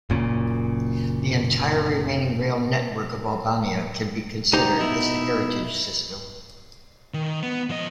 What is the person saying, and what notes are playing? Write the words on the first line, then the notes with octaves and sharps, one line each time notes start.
The entire remaining rail network of Albania can be considered as a heritage system.
F#1 A#2 C#3
D2 D#4 G4 C5 A#5
B2 D#4 E4
D#3
B3
F3 D#5